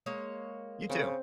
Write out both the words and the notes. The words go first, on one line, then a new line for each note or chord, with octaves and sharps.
You too.
G#3 A#3 C#5
C#3 C4